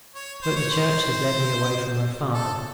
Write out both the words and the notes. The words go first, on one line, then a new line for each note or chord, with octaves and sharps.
But the church has led me away from my father.
C#5
C5
C#5
C5
A4